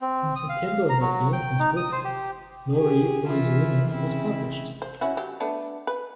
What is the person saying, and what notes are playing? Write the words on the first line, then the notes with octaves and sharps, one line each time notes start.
In September of that year, his book, "Laurie: Always a Winner" was published.
C4
D#6
F5
F5
A#5
F#3
G5
D#4
D#6
C5
G4
G4 G#4
E3 E4 F4
C#3 C4 E4
C5
C#4 E4 F#4
F#3 G4
A3 B3 D4
B4